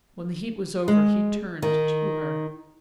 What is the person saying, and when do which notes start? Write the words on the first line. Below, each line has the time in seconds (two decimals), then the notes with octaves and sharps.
When the heat was over he turned to her.
0.88 G#3
1.62 D#3